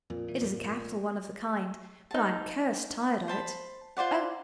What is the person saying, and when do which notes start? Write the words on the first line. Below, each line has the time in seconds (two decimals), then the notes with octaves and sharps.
It is a capital one of the kind, but I am cursed tired of it.' 'Oh!
0.10 F2 A#2
0.28 E3
0.41 F2 G#2 F3
2.11 D#4 A5
3.28 C5 A5 B5
3.97 F4 C5 D5 F#5